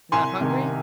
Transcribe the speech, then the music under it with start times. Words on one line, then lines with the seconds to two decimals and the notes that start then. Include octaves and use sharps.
"Not hungry?"
0.12 C2 G#5 C6
0.40 C3 D#3